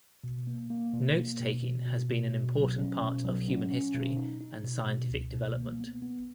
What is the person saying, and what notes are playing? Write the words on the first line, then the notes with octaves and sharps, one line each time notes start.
Note-taking has been an important part of human history and scientific development.
B2
A#3
A#3
B2
A#3
B2
B2
B2
B2
B2
F#3
C#4
B2
F#3
C#4
C#4
B2
D#4
D#4
B2
B2
C#2
B2
A#3
B3
B3